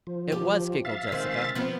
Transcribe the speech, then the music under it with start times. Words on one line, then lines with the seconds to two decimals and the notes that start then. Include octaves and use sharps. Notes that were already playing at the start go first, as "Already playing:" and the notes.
"It was," giggled Jessica.
0.07 F3
0.32 G4
0.85 E5 F5 A6
1.12 D#3 G#3 C4
1.55 F3 B3 C4